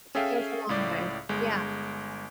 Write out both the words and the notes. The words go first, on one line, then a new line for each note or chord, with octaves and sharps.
it goes a long way, yeah.
C#4 G#4 A4 E5 F5 G5
C#2 A2 D5
G1 G#3